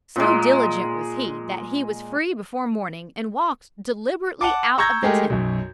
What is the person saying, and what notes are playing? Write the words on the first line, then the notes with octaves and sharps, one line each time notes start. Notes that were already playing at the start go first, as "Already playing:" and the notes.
So diligent was he that he was free before morning and walked deliberately out of the tent.
A#2 G#3
F#5 A5 D6
A#5 C#6 E6 G6 G#6 A#6
G#3 A3 G4 G#4 A#4
B1 F#2